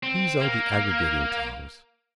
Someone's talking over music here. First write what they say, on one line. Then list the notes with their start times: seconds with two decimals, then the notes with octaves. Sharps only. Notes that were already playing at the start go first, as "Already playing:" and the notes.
These are the aggregating tongues.
0.03 C4
0.41 A#3 F5